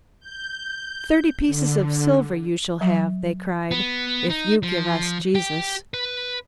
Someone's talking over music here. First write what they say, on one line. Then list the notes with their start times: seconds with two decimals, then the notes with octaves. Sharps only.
"Thirty pieces of silver you shall have," they cried, "if you give us Jesus!"
0.20 G6
1.47 D3
2.81 F#3
3.71 B3
4.30 D#4
4.63 F3
5.35 G4 G5
5.94 B4